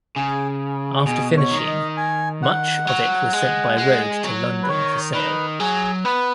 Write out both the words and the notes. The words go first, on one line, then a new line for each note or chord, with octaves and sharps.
After finishing, much of it was sent by road to London for sale.
C#3 G#4
B2 G#4
C#5
D#3
D#5
G#5
F#5
F#3
G#3
G#3
F#3
B4
D#3 C#5
D#3 B4
F#3 G#4
B3 B4